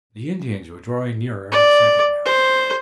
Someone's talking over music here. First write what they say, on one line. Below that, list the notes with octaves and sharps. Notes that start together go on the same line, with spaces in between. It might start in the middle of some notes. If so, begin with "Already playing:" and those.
The Indians were drawing nearer every second now.
D5
C5